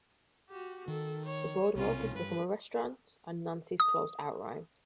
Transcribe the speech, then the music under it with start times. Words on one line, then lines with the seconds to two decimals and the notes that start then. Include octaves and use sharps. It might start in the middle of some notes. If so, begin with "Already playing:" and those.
The Boardwalk has become a restaurant, and Nancy's closed outright.
0.50 F#4 G4
0.88 D#3 A4
1.26 C#5
1.75 B1 C3 C#4 F4
2.15 G2 B4
3.80 D#6